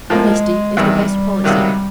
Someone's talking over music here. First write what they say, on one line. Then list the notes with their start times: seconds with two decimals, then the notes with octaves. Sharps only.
Honesty is the Best Policy.
0.10 A2 F3 G#3 A#3
0.77 E2 C3 D#3 G3
1.44 C#2 C3 D#3 F#3